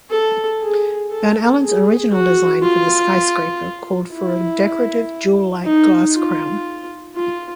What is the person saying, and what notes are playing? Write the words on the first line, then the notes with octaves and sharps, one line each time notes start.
Van Alen's original design for the skyscraper called for a decorative jewel-like glass crown.
A4
G#4
A4
G#4
F#4
F4
E4
D#4
F4
F4